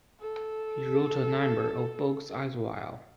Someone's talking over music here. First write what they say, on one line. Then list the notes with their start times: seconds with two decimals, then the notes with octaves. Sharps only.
He wrote a number of books as well.
0.21 A4